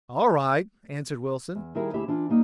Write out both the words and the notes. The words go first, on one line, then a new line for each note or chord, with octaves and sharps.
"All right," answered Wilson.
E2
D#3 G3 E4 G#4 A#4
D2 E4 G4 G#4 E5
E3 D4 F4
G3 A#3 D#4